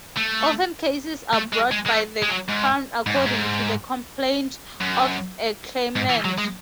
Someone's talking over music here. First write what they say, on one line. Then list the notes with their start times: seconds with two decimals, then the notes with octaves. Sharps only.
Often cases are brought by the Crown according to the complaint of a claimant.
0.17 A3
1.33 A3
1.53 G#3
1.72 G#3
1.86 G#3
1.92 A3
2.22 G#3
2.30 F#3
2.48 G#2
3.06 G#2
3.16 F#2
3.26 G#2
4.80 F#2
5.96 G#2
6.10 E3
6.25 F#3
6.38 G#3